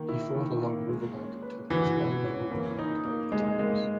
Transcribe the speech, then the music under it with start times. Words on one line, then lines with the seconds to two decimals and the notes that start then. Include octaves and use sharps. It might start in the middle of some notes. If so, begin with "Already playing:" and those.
He fought along the riverbank until he was finally overwhelmed by the attackers.
Already playing: D#3 A#3
0.09 E4
0.34 D#3
0.62 A#3
0.89 G#3
1.15 C#4
1.42 B4
1.70 E3 F#4
1.97 G#3
2.24 C#4
2.51 E3 A#3
2.79 D#4
3.05 A#3
3.32 G#3 G#4
3.59 G#3 A#3